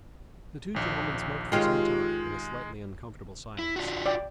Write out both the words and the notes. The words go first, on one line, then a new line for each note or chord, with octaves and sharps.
The two gentlemen smoked for some time in a slightly uncomfortable silence.
A#1 D#2
D#3 G#3 F4 G4 C#5
E4
D4 F4 F#4
D5 G5